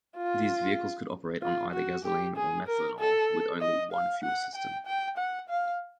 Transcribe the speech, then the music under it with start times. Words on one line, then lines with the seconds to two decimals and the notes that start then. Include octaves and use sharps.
These vehicles could operate on either gasoline or methanol with only one fuel system.
0.17 F4
1.42 F4
1.74 F#4
2.05 G4
2.37 G#4
2.67 A#4
2.99 A4
3.61 D#5
3.93 F5
4.23 F#5
4.55 G5
4.86 G5
5.18 F#5
5.49 F5